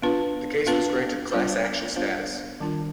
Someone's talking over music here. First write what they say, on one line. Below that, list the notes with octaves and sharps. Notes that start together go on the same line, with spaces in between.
The case was granted class action status.
B3 D4 F4 B4
B3 D4 F4 B4
G3 B3 D4 F4 C5
G3 B3 D4 F4 C5
D#3 G3 D4 F4